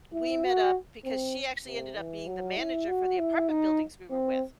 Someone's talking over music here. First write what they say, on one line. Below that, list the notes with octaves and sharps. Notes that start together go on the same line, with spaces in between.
we met up because she actually ended up being the manager for the apartment buildings we were with.
E4
F#4
C4
C3
E3
F#3
E4
F#4
E4
D#4
C4